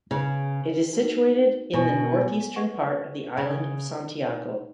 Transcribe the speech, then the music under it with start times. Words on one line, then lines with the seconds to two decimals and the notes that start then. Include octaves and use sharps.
It is situated in the northeastern part of the island of Santiago.
0.11 C#3 G#4 B4 G#5 B5
0.93 D#4 F#4 B4
1.73 B2 C#5 G#5 C#6
2.56 B4 F#5 C#6
3.37 C#3 C#5 B5
4.19 D#4 B4 F#5